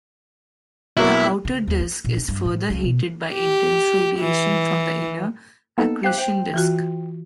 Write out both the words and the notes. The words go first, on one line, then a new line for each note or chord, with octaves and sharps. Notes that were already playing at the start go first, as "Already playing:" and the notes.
The outer disk is further heated by intense radiation from the inner accretion disk.
B1 F#3 A#3 E4
C#3
D#2
F4
A#2
D#4
G2
A2
C#2
B2
G4
E3
A#3 B3 D#4 A4
G4 C5 F5 F#6 C7
C5 G5
E3 F4 F#4